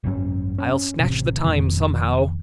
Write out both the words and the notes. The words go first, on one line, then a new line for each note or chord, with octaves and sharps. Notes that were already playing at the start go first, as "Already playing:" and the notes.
I'll snatch the time somehow.
G#1 F#2 F#3 C#4
C#4
A1 C3
F1 F2 A#2 D#3